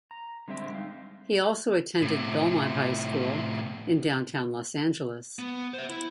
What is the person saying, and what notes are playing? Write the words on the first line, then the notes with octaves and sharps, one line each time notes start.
He also attended Belmont High School in Downtown Los Angeles.
A#5
D3 G3 G#3 C4 E5 G5
G#3 D#4 F5
A2 C3
B3
C5 E5
E4